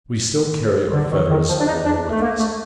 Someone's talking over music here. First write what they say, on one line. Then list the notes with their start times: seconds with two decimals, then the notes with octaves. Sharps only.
We still carry our fetters along with us.
0.93 D3
1.12 D#3
1.30 D#3
1.48 F3
1.60 D4
1.66 D#4
1.85 D4
2.10 A3
2.22 A#3
2.40 A3